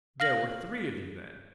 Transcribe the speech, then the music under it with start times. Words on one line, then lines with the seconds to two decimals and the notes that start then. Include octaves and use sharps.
"There were three of you, then."
0.20 F5 F6 A#6 F#7